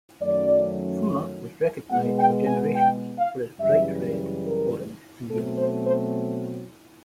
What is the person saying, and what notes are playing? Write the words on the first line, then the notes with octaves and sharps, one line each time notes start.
Fulla was recognised for generations for his bright red, orange and yellow.
F#2 D#3 F#3 A3 C#4 D5
B2 G#3 B3 F#5
G5
G#5
G5
F5
F#2 C#3 E3 G3 E5
A#4
B2 F#3 A3 C4 A4
C5
C5